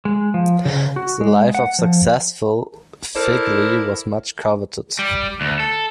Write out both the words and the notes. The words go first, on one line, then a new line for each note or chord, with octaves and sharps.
The life of successful "figlie" was much coveted.
G#3
F3
C#3
F#4
G#3
F#5
F3
E4 A4 A#4 C5 D5
G3
D2
A4